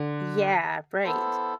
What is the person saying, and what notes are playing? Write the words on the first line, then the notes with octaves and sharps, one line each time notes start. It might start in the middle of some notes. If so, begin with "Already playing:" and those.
Yeah, right.
Already playing: D3
B3 E4 A4 C5